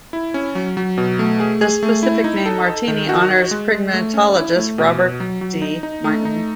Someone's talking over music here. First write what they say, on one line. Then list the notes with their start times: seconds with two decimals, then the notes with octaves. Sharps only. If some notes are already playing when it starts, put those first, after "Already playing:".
The specific name, "martini", honors primatologist Robert D. Martin.
0.13 E4
0.34 C#4
0.55 F#3
0.77 F#3
0.98 B2
1.19 A3
1.40 G#4
1.61 G#4
1.83 A3
2.03 E4
2.24 D#4
2.46 A4
2.66 A4
2.88 D#3
3.09 F#4
3.31 F#4
3.51 G#3
3.72 G#3
3.94 A3
4.14 C#4
4.36 E4
4.56 A3
4.78 B2
4.98 B2
5.20 F#3
5.41 F#3
5.62 D#4
5.83 D#4
6.04 A3
6.25 D#4